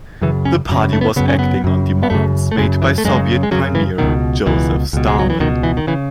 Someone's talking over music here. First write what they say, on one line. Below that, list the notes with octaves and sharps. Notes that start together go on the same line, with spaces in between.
The party was acting on demands made by Soviet premier Joseph Stalin.
F#2 C#3 E3
C#4
F#2 C#3
A3
B3
F#2 C#3 B3
C#4
B3
F#2 C#3
B3
F#2 C#3 A3
A3
F#2 C#3 G#3
E3
A3
F#2 C#3 G#3
G#3
F#2 C#3 F#3
E3
C#2 B2 D#3
C#2 B2 E3
C#2 B2
G#3
F#3
E3
C#2 B2 D#3
E3
D#3
C#3 E3